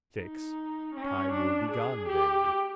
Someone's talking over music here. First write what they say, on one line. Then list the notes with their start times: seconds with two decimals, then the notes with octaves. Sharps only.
Six. Time will be gone then.
0.19 D#4
0.95 C#4
1.33 D4
1.71 G#4
2.09 G4